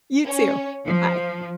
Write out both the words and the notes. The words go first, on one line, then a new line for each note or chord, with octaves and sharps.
You, too. Bye.
C#4
F3